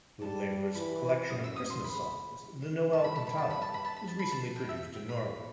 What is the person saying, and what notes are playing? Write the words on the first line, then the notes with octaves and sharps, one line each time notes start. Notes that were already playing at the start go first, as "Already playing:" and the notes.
Woolaver's collection of Christmas songs, "The Noel Cantata," was recently produced in Norway.
G3 A5
E3 B5
F#2 D#6
E6
D#6
C6
B5
G2 A5
B5
A5
B5
A5
G2 B5
A5
B5
A5
B5
A5
B5
A5
G5
E5
G5
B5